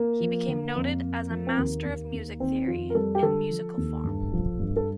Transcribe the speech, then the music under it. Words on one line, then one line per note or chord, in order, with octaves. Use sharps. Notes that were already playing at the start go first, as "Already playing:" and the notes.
He became noted as a master of music theory and musical form.
Already playing: A#3
F3
D3
F2
F2
F3
C4
D#2 A#3
D#2
D#2
D#3 C4
F2 F4
A#4
G3 A4
G4
D3 A4
F3
D#2
G2
F3
G2
A4